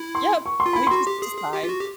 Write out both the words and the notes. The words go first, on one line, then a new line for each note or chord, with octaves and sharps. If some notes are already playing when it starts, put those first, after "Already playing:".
Yep, they just decide.
Already playing: E4
C6
C#6
C6
F4
E4 B5
F#4 C6
G4
G#4
G#4
G4
F4
F#4
G4